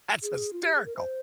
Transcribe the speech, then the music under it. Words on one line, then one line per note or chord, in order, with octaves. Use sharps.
that's hysterical.
G#4
F4
G4
G#4
A#4
C5